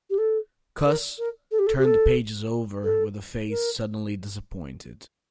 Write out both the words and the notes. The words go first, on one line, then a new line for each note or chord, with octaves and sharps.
Cuss turned the pages over with a face suddenly disappointed.
G4
A4
A#4
A#4
A4
G4
A4
G4
A4
A4
A#4